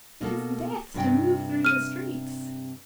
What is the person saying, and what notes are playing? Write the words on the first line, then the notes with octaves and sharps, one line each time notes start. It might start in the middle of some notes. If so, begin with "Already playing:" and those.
It is death to move through the streets!'
B2 A#3 A4
G2 C3 G5
F6 D#7